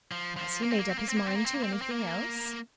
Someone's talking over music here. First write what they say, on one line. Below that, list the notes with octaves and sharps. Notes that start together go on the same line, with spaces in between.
"Has he made up his mind to anything else?"
F3
F3
A#3
C4
A#3
C4
A#3
C4
A#3
C4
A#3
C4
A#3
C4
A#3
C4
A#3